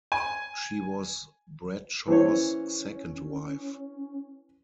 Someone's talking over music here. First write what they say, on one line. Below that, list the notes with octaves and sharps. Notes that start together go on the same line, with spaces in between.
She was Bradshaw's second wife.
G#5
E3 C#4 C5 C#5